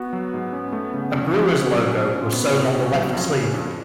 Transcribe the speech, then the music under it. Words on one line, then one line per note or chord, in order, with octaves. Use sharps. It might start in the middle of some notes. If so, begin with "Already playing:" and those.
A Brewers logo was sewn on the left sleeve.
Already playing: B3 F#4
F#3
G#2
C#4
A3
C#3
B3
F2 C#4
F3
G#4
F#3
B2 D4
C#4
F4
B3 F#4
A2
A1 D4
C#4
F#3 A3
B3
F2 C#4
C#3
F2 D4